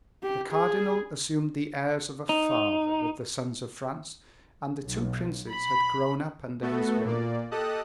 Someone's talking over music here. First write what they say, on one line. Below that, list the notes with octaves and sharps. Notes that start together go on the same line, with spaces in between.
The cardinal assumed the airs of a father with the sons of France, and the two princes had grown up under his wing.
G4
G#4
D#4
B1
B5
A3 B3 F#4 A4
A#2 A#3 D5
G4 A4 D#5 A5 D#6 F#6